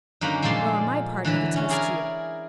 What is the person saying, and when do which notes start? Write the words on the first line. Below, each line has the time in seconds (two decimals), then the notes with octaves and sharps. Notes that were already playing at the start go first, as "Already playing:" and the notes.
"Well, on my part, I detest you."
0.21 F#2 D3 A#3 D#4 A#5 B5
0.42 A#2 F3 G#3 A4 D5 C6
1.25 D3 E3 F#3 B4
1.56 C#4
1.69 E4 G#4 A#4 D5 G#5 A#5